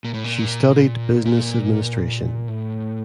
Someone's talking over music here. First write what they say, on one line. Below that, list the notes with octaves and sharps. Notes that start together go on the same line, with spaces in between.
She studied Business Administration.
A#2
A2
A#2
A#2
A2